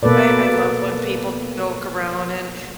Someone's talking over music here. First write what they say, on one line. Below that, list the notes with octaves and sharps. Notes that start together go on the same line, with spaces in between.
I I love when people joke around, and
B2 A#3 A4 B4 D5